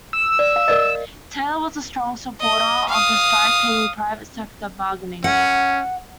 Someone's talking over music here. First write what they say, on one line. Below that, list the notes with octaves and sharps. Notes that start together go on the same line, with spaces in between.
Taylor was a strong supporter of the strike in private sector bargaining.
E6
D5
F5
A#4 D5 D#5
D#5
F5 D#6
C#4 F#5